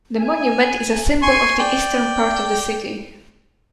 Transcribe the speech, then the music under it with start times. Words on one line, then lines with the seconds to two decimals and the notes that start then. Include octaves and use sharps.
The monument is a symbol of the eastern part of the city.
0.20 G#5
1.23 G#5 C6 C#6
1.59 D5 G5